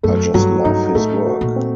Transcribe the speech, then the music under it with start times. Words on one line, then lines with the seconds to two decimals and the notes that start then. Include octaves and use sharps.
I just love his work.
0.03 F#2 A3
0.34 G2 F#3
0.64 G2 D#4
0.95 A2 A3
1.26 F#4
1.41 A#2
1.56 C4